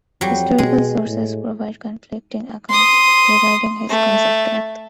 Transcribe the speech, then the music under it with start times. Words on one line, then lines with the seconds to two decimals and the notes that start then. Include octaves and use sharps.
Historical sources provide conflicting accounts regarding his cause of death.
0.21 F2 F#3 G3
0.58 B2 G#3
1.06 A2
2.69 C6 D#6
3.89 A3